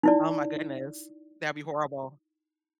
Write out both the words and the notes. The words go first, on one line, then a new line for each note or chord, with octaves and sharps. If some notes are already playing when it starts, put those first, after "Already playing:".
Oh, my goodness. That'd be horrible.
D#4 E4 D5